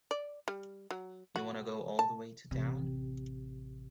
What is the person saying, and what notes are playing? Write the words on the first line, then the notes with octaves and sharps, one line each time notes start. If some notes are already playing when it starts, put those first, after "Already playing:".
You wanna go all the way to town?
D5
G3
F#3
F#4
A5
A1 C3